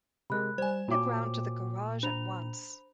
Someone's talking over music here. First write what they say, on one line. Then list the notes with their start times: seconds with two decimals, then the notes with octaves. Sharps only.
Nip round to the garage at once.
0.30 C3 G#3 A#4 B5 F#6
0.58 G3 C5 G#5
0.88 A#2 F#4 C#5 G5 D6
2.03 D4 C5 B5 F7